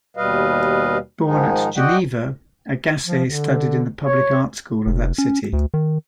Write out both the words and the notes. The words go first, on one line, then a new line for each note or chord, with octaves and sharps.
Born at Geneva, Agasse studied in the public art school of that city.
D#2 B2 G3 B4 D#5 F5
G#2 D#3 F3 G#3 D#4
F#4 D5 D#5 F#5 G5
F3
D3
C#5
F1
C#4
D2
D#3